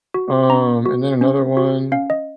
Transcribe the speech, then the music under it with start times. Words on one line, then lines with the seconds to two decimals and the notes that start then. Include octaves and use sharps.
um, and then another one
0.14 F#4
0.50 C#4 A#5
0.86 F#4
1.21 C#4
1.57 F#4
1.92 C#4 F5
2.10 D#5